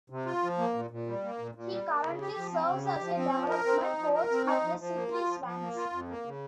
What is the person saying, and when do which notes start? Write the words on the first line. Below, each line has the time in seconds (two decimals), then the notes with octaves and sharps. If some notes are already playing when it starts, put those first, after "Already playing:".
He currently serves as a development coach at the Sydney Swans.
0.10 C3
0.25 F4
0.43 F3
0.58 A#3
0.74 A#2
0.90 A#2
1.07 G3
1.24 A#3
1.39 A#2
1.55 A#2
1.72 G3
1.88 A#3
2.04 C#3
2.21 G4
2.37 F3
2.52 C4
2.69 C#3
2.85 G4
3.01 F3
3.17 C4
3.33 F3
3.50 A#4
3.66 C4
3.82 D#4
3.99 F3
4.15 A#4
4.31 C4
4.46 D#4
4.64 F3
4.80 F3
4.95 A#3
5.12 F4
5.28 F3
5.45 F3
5.61 A#3
5.76 F4
5.92 F2
6.08 A#3
6.26 C#3